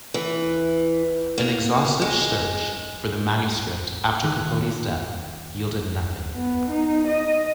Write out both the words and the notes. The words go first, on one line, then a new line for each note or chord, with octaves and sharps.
An exhaustive search for the manuscript after Capote's death yielded nothing.
E3
A#3
G#3
D#3
B3
D#4
D#5